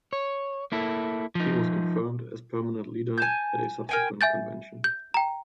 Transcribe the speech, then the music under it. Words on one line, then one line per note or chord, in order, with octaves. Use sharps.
He was confirmed as permanent leader at a subsequent convention.
C#5
A#3 E4 A4
F3 D#4
G#5 A5 G6
A#4 G5 G#5
E5 G#5 G6 A6
G6
G5 A#5